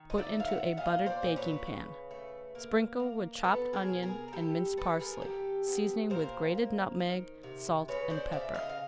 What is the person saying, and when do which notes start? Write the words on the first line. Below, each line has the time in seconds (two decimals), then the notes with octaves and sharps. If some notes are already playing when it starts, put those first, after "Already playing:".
Put into a buttered baking-pan, sprinkle with chopped onion and minced parsley, seasoning with grated nutmeg, salt, and pepper.
Already playing: D#3
0.10 D#5
0.18 D5 E5
0.33 A3
0.40 F5
0.48 E5 F#5
0.77 A#2 D#5 F5
1.06 C5 D5
1.22 A#2
1.36 B4 C#5
1.67 C#3
2.11 A3
2.55 A#3
3.00 A#3
3.44 B3 A4 B4
3.73 G#4 A#4
3.88 B2
4.03 G#4 A#4
4.28 A#4
4.33 G3 G4 A4
4.77 G3 A4 B4
4.99 G#4 A#4
5.21 D#3 G4 A4
5.67 B3
6.10 A#2 A#4 C5
6.55 A#3
7.00 D#3
7.43 C3
7.88 C#3 B4 C#5
8.10 C5 D5
8.32 C#3 D5 E5
8.54 D#5 F5
8.69 F5